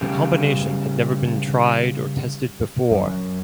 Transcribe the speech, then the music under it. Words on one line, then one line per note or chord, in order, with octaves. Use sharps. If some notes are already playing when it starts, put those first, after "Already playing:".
The combination had never been tried or tested before.
C#3 G3
F#2